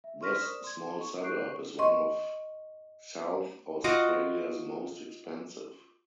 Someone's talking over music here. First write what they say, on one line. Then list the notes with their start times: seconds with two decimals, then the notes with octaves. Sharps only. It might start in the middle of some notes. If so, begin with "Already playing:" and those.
This small suburb is one of South Australia's most expensive.
0.04 E5
0.21 C6 C#6 F6 A#6 B6
0.41 A#4 C5 D5 D#6 E7
0.64 C6 G#6
1.01 C#6
1.23 C#6 F#6 G6 C7 D7
1.79 D#5 C6 C#6
3.84 F4 F#4 D#5 D6